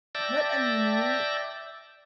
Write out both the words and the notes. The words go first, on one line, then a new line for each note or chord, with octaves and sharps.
What a neat
D5 E5 G5 A5 A#6